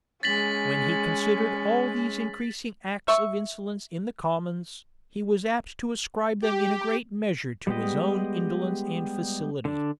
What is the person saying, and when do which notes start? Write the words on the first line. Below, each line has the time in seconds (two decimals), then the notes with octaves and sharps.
When he considered all these increasing acts of insolence in the commons, he was apt to ascribe them in a great measure to his own indolence and facility.
0.23 G#3 C#4 A6 B6 F#7
3.08 E5 C#6
6.42 G4
7.67 G3 G#3 B3 G4 D#5
9.65 D3 D4